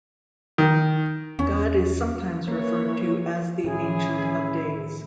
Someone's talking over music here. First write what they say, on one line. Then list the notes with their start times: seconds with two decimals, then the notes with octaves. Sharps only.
God is sometimes referred to as the Ancient of Days.
0.58 D#3
1.39 E2 C#4
2.48 E3 A#3 A#4 C#5
3.64 A2 D#3 E3 C#4 E4 G#4